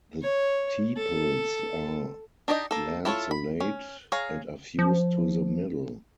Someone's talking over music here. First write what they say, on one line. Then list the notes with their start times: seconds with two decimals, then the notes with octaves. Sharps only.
The tepals are lanceolate and are fused to the middle.
0.22 C#5
0.97 A4
2.48 D4 D#4 G4 D5 D#5
2.71 A#3 A4
3.05 E4 F4 A4 B4 C#5
3.31 B5
3.60 C#4
4.12 G#4 C#5 F5 A#5
4.79 F3